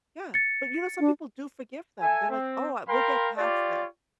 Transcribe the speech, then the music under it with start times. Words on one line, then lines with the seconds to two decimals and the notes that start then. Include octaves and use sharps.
Yeah. But, you know, some people do forgive them. They're like, "Oh, uh, we'll get past this."
0.34 A6 C#7
1.00 D4
2.00 A4 E5 G#5
2.30 C4
2.87 A#4 F5 G5 B5 C6
3.37 F4 G4 C#5 D5